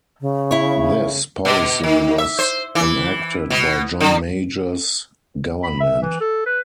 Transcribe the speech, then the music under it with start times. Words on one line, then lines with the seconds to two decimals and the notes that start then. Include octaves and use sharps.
This policy was enacted by John Major's government.
0.21 C#3
0.51 E4 C#5
1.45 B2
1.83 D#3
2.18 E5
2.39 C5
2.75 E3
3.50 B2
4.00 D3
5.63 B5
5.80 E5
6.02 E3
6.20 A4
6.46 B4